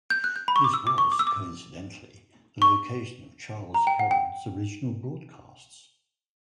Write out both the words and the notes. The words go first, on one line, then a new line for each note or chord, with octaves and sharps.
This was, coincidentally, the location of Charles Herrold's original broadcasts.
G6
F#6
G6
B5
C#6
D6
E6
D6
C#6
D6
E6
D6
C#6
A#5
G5
F#5
G5